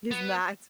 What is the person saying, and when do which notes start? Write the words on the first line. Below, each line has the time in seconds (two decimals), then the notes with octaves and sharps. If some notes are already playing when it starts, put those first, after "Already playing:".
is not
0.11 B3